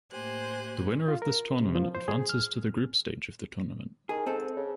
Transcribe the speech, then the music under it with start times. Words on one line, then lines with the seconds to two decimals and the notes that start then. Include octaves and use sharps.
The winner of this tournament advances to the group stage of the tournament.
0.11 A2 A#3 G4 C5 G#5 F#6
1.08 F4
1.22 A#4
1.61 C3
1.75 F3
1.95 C5
2.08 G#4
2.29 F6
4.09 D#3 G#4
4.26 G#2 C4 A4
4.56 C#3